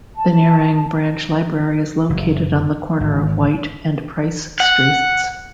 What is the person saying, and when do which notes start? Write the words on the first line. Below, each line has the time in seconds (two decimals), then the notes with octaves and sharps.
The Nerang Branch Library is located on the corner of White and Price Streets.
0.18 A5
2.10 F#1
3.00 G#1
4.60 F#5